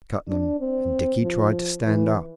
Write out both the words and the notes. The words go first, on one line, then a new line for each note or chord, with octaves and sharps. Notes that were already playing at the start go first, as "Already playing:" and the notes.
He cut them, and Dickie tried to stand up.
D4
C4
F3
E3